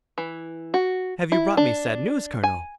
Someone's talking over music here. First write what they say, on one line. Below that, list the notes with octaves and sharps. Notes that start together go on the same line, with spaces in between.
"Have you brought me sad news, Colonel?"
E3
F#4
E4
D4
G#5